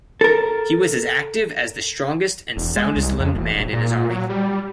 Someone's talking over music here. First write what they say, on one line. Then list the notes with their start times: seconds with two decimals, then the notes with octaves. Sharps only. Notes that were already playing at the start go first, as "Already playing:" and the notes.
He was as active as the strongest and soundest-limbed man in his army.
0.21 A4 A#4
2.56 E1
2.76 G#3
2.96 C2
3.20 F2
3.35 E1
3.56 D#1
3.73 A#2
4.10 F#3
4.29 G3